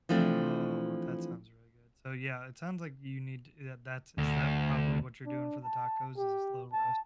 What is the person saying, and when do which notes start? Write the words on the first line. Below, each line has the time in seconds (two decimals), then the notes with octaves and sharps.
Oh, that sounds really good. So, yeah, it sounds like you need, t eh, that that is that probably what you're doing for the tacos is a slow roast?
0.09 E3 F3 A3 C4 D4
4.18 D2
5.26 D4
5.64 A5
6.18 G4
6.73 A5